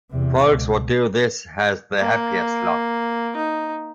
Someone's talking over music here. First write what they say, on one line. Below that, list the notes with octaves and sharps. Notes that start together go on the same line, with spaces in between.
Folks what do this has the happiest lot.
E2 C3
C#2 B2
A#3
D#4